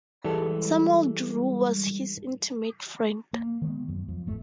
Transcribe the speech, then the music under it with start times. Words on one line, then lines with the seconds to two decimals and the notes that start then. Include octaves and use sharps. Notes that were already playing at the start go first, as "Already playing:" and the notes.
Samuel Drew was his intimate friend.
0.24 E3 G3 G#3 A4
3.33 A#3
3.62 D#3 G#3 B3
3.88 F#2
4.08 F2 F3
4.27 G#1 A3